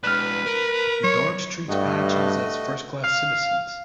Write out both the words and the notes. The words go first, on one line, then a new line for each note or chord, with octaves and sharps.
Darcs treats patches as first-class citizens.
G#3 D4 B4 F6 F#6
A#4
F#3 C#5
G2 A3 F#4 D#5
F5